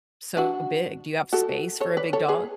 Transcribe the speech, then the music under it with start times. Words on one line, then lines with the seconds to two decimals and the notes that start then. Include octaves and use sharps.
so big? Do you have space for a big dog?
0.37 D4 F#4
1.33 F#4 A4
1.80 A4 C#5
1.97 B4 D5
2.13 A4 C#5
2.28 G#4 B4